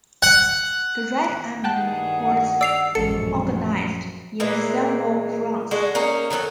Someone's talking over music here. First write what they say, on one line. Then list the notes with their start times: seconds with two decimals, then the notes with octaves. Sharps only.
The Red Army was organised in several fronts.
0.23 F#5
1.64 G2 D#3 G#4 F#5 G5 A5 F#6
2.61 D5 E6 C7 F7
2.95 A1 F#2 A#2 F3 G#3 A4 C#7
4.40 A#2 E3 G#3 A#3
5.71 G#3 D4 F#4
5.95 A#3 C#4 D#4
6.30 D#3 F#3 F#4 A4